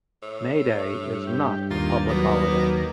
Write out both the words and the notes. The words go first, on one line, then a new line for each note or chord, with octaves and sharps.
May Day is not a public holiday.
A2
G2
G4
D#2 A#3 F4
F#3 B3
F#3